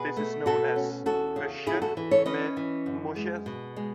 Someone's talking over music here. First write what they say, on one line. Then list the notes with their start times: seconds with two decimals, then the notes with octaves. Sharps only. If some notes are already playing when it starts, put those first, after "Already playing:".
This is known as beschuit met muisjes.
Already playing: B2 G#4 B4
0.17 A3
0.46 B2 F#4 A4
0.76 C#4
1.06 E2 F#4 A4
1.36 C#3
1.66 E2 E4 G#4
1.82 F#4 A4
1.97 E3
2.11 A4 C#5
2.26 C#4 B4 D#5
2.57 E3
2.86 F#2
3.16 G#3
3.46 B2
3.76 G#3